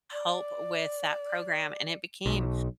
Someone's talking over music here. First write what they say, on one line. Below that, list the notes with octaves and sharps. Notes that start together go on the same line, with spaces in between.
help with that program, and it became
D5
B1